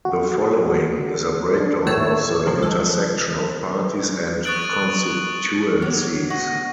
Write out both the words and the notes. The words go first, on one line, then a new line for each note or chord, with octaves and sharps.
The following is a breakdown of the intersection of parties and constituencies.
F#4
D4
G#1 A2 A3 C#5 E6
G#2 C3 D#3 F3
C#2 F3 G#3 A4
C#6 D#6 F#6 A6 D7 F#7
F#3 B3 G4 C#5
F#4 D#5